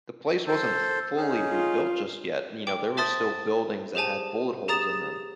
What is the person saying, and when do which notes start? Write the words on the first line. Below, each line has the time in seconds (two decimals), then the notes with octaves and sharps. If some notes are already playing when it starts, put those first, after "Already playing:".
the place wasn't fully rebuilt just yet, you know, there were still buildings that had bullet holes in them.
0.47 A4 C5
1.17 C#4 D#4 G#4
1.48 F4
2.67 G5 D6
2.97 C5 E5 A5 C6 D#6 A6
3.95 G4 G#4 C5 G#5 A5
4.68 G4 G#4 A#5 D#6 A6 E7